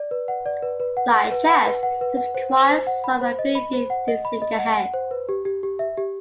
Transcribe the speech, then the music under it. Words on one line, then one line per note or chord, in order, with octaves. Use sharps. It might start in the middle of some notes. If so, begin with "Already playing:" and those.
Like chess, this requires some ability to think ahead.
Already playing: D5
B4
F#5
D5
B4
B4
F#5
F#5
B4
F#5
B4
F#5
B4
F#5
C5
C5
C5
F#5
B5
C5
D#5
B5
C5
F#5
D#5
B5
D#5
F#5
F#5
C5
B4
G4
G4
G4
E5
G4